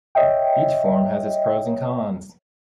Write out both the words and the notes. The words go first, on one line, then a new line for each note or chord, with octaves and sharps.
Each form has its pros and cons.
C#5 D#5 E5 G5